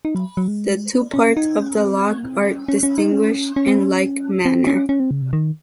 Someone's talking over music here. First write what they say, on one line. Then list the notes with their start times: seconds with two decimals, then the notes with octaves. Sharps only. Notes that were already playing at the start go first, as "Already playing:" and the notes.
The two parts of the lock are distinguished in like manner.
0.05 D#4
0.15 F#3
0.37 F#3
0.48 G#3
1.14 C#4
1.37 D#4
1.58 C#4
1.80 C4
2.18 A#3
2.24 C4
2.47 C#4
2.68 C#4
2.83 C#4
2.98 D#4
3.12 C#4
3.56 C#4
3.68 C4
3.79 C#4
4.45 C4
4.67 C#4
4.89 C#4
5.00 C4
5.11 C#3
5.22 C3
5.33 D#3